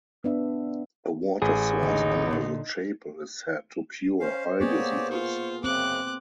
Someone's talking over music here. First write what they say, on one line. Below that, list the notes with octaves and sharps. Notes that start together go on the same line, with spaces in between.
A water source under the chapel is said to cure eye diseases.
B3 D4 E5
A1 G#4
D#2 D3 D#4
A#2 D3
C#4 C5 F5
A#3 B3 G4 G#4 C#5 D5
F4 C#6
F#2 C#3 C4 D6 F#6